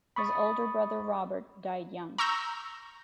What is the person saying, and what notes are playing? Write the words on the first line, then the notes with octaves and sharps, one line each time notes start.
His older brother Robert died young.
B5 C#6 D#6 A6
A#5 C#6 E6 G6 A#6